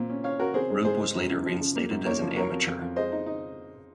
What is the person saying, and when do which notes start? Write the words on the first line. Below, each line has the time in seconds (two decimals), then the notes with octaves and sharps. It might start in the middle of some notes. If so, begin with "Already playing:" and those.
Rube was later reinstated as an amateur.
Already playing: A#2 C4
0.09 C#4
0.24 C#4 C#5 F5
0.39 C#4 F#4 A#4
0.54 C4 G#4 C5
0.70 G#3
0.85 G#2 G#4 C5
1.00 G#3
1.15 F#2
1.30 C#3
1.46 F3
1.61 C#3
1.76 A#3
1.91 F#2
2.06 A#3 A#4 C#5
2.21 F3
2.36 F#3 A#4 C#5
2.51 F2
2.66 F2
2.81 F2
2.96 G#3 C5 D#5
3.12 D#4
3.26 D#4